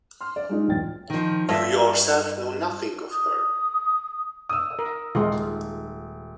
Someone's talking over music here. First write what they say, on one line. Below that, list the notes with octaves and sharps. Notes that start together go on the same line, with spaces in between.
You yourself know nothing of her.
C6 F6
D5
G#3 D4 D#4 F4 G#4
D1 E2 A2 G5 A6
D#3 F3
G2 A#3 F4 A4 E5
D#6
D#6 E6
A#4
D#1 G#3 F4